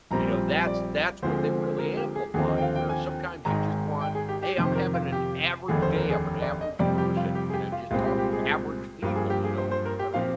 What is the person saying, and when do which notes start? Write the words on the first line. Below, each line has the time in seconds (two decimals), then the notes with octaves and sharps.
you know, that's that's what they really amplify, where sometimes you just want, "Hey, I'm having an average day, I'm an average person, can I just talk with average people," you know, and kinda
0.11 A#1 A#2 G3 C4 A#5
0.67 D5
1.23 D2 D3 F3 G#3 C4 C5
1.79 A#4
1.97 G4
2.15 G#4
2.34 D#2 D3 F3 C4 G#4
2.48 D#5
2.58 G5
2.62 F5
2.76 G5
2.89 G#5
3.45 G#1 G#2 D#3 G#3 A#5
4.01 G5
4.15 G#4
4.29 G4
4.42 G4
4.57 F2 C3 D#3
4.65 C5
4.75 A#4
4.94 F4
5.12 G4
5.68 F1 D#2 D3 G#4
5.82 C5
5.96 A#4
6.10 G#4
6.42 D5
6.61 D#5
6.79 F2 C3 G3 D5
6.98 G4
7.17 F4
7.35 G4
7.50 G#4
7.54 G4
7.72 F4
7.91 C2 A#2 G#3 C4 F4
8.05 G4
8.19 G4
8.33 G#4
9.02 G2 F3 A#3 A#4
9.16 G#4
9.30 G4
9.44 G#4
9.58 C5
9.71 C5
9.86 A#4
9.99 G4
10.14 A#2 F3 C4 F5